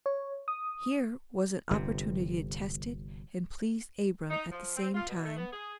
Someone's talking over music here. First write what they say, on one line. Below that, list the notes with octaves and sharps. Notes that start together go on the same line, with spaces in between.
Here was an opportunity to test it and please Abram at the same time.
C#5
D#6
G1 C3
D#4
F3
C4
F4
B2
A3
B3
G#4